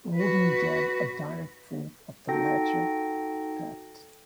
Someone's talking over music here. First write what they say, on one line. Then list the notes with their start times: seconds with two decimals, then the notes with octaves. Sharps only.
Rudin gave a direct proof of the latter fact.
0.15 F#4 B4
2.28 D#4 F#4 A4 G5 A#6